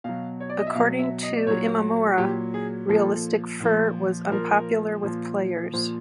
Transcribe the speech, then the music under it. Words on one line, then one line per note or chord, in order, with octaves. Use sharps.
According to Imamura, realistic fur was unpopular with players.
B2 F#3 F5
C#5
D5
D#5
E5
B2 F#3 F5
E5
D#5
D5
A#2 F#3 C#5
A#2 F#3 G4
G#4
A#2 F3 A4
A#2 F3
A#2 F3 A#4
A#2 F3
A#2 F3 C5